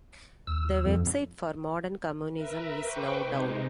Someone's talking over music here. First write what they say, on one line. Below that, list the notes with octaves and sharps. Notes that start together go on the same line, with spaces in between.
The website for "Modern Communism" is now down.
D#2 E6
F2
A#4 B4 E5
B4 C5 G5 C#6 D6
C3 G#3 D#4